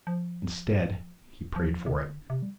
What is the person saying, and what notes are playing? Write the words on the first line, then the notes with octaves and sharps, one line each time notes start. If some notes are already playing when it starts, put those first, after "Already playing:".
Instead he prayed for it.
F3
F3
C3
D3
C3
G3